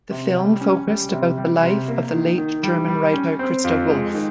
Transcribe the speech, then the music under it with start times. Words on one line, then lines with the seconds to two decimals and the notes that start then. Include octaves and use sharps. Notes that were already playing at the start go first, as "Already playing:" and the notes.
The film focused about the life of the late German writer Christa Wolf.
0.11 C3
0.36 G3
0.61 C#4
0.87 G3
1.12 C3
1.38 G3
1.62 C3
1.88 A#3
2.13 D#3
2.38 D#3
2.63 G3
2.88 G3
3.13 C#4
3.39 C4
3.64 F2
3.89 G#3
4.14 D#3